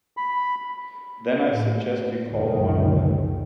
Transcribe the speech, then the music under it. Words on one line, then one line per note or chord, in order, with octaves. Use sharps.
Then I suggest you call one of them.
B5
A2
C#2 F#2 A#2 D#3